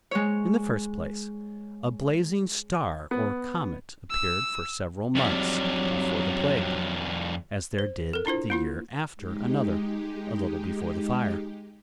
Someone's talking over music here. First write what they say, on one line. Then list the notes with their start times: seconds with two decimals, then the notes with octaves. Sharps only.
In the first place, a blazing star or comet appeared for several months before the plague, as there did the year after another, a little before the fire.
0.11 G#3 C#5
3.11 B3
4.11 E6
5.15 F2 F#3 G3
7.79 C5
8.13 A4 A#4
8.26 D4 E4 F4 C5
8.50 A#3 E4 F4
9.16 G#3 D#4 G4